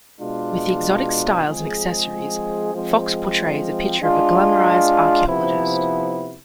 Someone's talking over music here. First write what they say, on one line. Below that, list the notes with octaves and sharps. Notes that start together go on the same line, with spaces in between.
With the exotic styles and accessories, Fox portrays a picture of a glamorized archaeologist.
B2 G#3 D4 F4
F3 G#3 C4 G#4
F3 G#3 C4
G#3 D4 F4
C3 F3 B3 E4